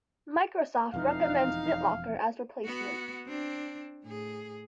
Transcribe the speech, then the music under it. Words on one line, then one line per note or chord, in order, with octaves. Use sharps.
Microsoft recommends BitLocker as replacement.
E1 F2 E3 D#4 F5
B3 F#4
C4 D4
A2 G#4